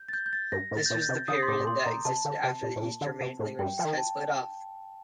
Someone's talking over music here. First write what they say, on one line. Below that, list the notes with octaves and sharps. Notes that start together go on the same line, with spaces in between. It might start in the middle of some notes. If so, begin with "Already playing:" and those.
This was the period that existed after the East Germanic languages had split off.
Already playing: G6
A6
G6
G6
A6
G2 A#6
A2
A6
G6
A#2
A6
G6
C3
D3 D#6
C6
A2 D6
A2
A#2 C6
A#2 A#5
C3 A5
D3
C3
A#2
A2
A#2
D3
C3
A2
G2 G5
F3 G5
D#3
A5